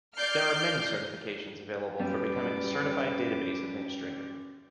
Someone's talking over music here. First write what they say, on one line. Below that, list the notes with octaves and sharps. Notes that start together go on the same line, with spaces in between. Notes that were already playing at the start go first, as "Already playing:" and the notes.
There are many certifications available for becoming a certified database administrator.
D5 F6 G6 C7
F#2 G3 B4 D6